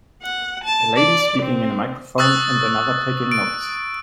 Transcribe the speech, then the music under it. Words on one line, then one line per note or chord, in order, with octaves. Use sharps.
A lady speaking in a microphone and another taking notes.
F#5
A5
D5
C4
C#6 D#6 E6 F#6 A6
D7